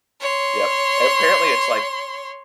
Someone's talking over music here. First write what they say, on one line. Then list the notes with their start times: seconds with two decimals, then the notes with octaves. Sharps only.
Yep. And apparently, it's like
0.21 C#5 C6